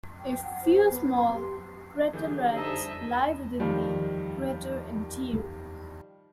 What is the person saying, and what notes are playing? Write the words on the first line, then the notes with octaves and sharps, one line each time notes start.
A few small craterlets lie within the crater interior.
G5
F#5
C5
B3
C6
G4
D3 E3 G3 G#4 A4 G6
D#4 A4 C5 D#5 E5
D#3 F3 G3